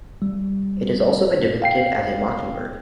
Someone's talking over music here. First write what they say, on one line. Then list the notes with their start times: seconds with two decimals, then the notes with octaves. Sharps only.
It has also been depicted as a mockingbird.
0.22 G3
1.62 F5 G5 C7